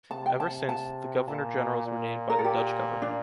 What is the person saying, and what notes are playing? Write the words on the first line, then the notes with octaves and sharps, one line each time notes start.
Ever since, the Governor Generals were named by the Dutch government.
C3 A5
G5
C3 A5
A5
A#2 A5
A#2
A#4
A4
A#2 G4
D4